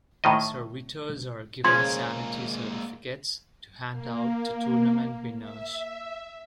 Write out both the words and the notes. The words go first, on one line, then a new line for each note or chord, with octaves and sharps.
Servitors are given Sanity Certificates to hand out to tournament winners.
A2 D#3 D#5
C#3 F3 G#3 A#3 C#4 C6 G#6
A#3
E5